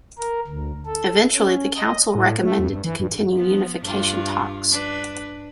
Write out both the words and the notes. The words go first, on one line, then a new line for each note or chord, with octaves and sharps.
Eventually the council recommended to continue unification talks.
A#4
D2
A4
C#4
D#5
A2
A3
F2
G2
E3
G2
F3 B3
G2 D4 F4
D4 B4